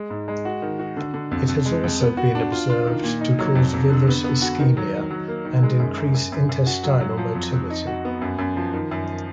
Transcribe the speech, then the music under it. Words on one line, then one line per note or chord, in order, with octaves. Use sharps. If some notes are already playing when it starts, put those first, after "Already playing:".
It has also been observed to cause villus ischemia, and increase intestinal motility.
Already playing: G#3
G#2
G#3
F#4
D#3
F#4
D3
D3
F2
F2
G#3
F2
B3
F#4
D4
F4
F4
D#3
A#2
D#4
F#3
F2
F2
D3
B3
B3
F#4
D#3
F#3
D#3
F#3
A#3
D#3
G#3
F#2
F#2
F#2
F#2
F#2
F#4
F#3
F#3
F3
F2
F2
D#4
F#4
B3
F#2
F#2
F3
D#3
F#2